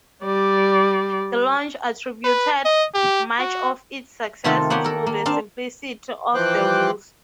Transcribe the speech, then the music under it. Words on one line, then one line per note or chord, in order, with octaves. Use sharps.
Delonge attributed much of its success to the simplicity of the rules.
G3 D5
B4
D#5
G4
F#4
C3 D#3 A3 C4 F4 A4
A#3 B3 G4 C#5 F#5 G5
A4 A#4
A#3
C4 D4 F5 A5
E3 F3 C5 G5 D6 F#6